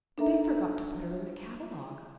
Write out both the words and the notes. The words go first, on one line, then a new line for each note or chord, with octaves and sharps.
"They forgot to put her in the catalogue."
D4 D#4 A4 A#4 E5 A#5